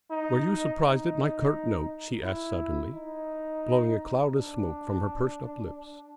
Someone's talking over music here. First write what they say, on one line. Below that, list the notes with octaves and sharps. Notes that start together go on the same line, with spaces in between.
"Were you surprised at my curt note?" she asked suddenly, blowing a cloud of smoke from her pursed-up lips.
D#4
D#4
E4
D#4
D4